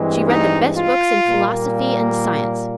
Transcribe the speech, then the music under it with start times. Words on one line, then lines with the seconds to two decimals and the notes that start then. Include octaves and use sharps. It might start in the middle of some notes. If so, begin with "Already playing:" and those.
She read the best books in philosophy and science.
Already playing: G2 E3 G#3 C4
0.27 D#4
0.76 F4
1.25 A#2 G3 A#3